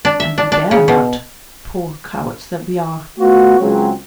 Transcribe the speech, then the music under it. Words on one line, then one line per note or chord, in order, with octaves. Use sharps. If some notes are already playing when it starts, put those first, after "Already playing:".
And we dare not; poor cowards that we are!
D4
E5
D4
D4
C#3
B2
A3 B3 F4 F#4
C#2 F#3 C4